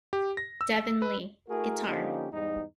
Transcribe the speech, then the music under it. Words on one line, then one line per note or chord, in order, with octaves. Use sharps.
Devin Lee, guitar.
G4
A#6
E6
B4
A3 E4 F#4 G#4 A#4
D3 F3 A#3 C#4 D#4 G4
E2 G#2 G3 D#4